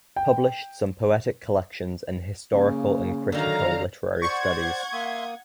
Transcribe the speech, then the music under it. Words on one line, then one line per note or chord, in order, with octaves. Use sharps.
Published some poetic collections and historical and critical literary studies.
G5
C#3 A#3
D3 D#3 F#3 F5 A#5
C5 D5 F#5 C#6 G#6
A#3 E5 C6 D#6